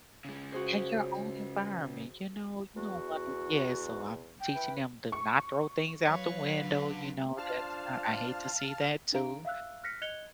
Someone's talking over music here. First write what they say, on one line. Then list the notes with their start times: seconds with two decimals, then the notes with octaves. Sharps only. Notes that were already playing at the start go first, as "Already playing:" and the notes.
In your own environment, you know, you don't wanna yeah, so I'm teaching them to not throw things out the window, you know, that's not I hate to see that too.
0.25 C#3 G#3
0.52 F#4 G#4 C5
2.76 E2 F#4
4.41 G5
4.55 E3 B4
5.12 C#6
6.06 F#3 B4 C#5 F5
6.63 D3
7.37 D4 F4 C5 F5 A5 F6
9.12 D4 G#4 F5 A#5 D7
9.45 E5 F5 E6 F#6
9.84 F6 F#6 A#6 B6 C#7
10.02 D#5 F#6 G#6 C#7 F7 G7